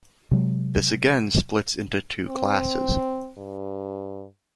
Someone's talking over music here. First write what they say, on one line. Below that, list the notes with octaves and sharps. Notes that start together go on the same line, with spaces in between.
This again splits into two classes.
C3 F#3 G#3
C4
G2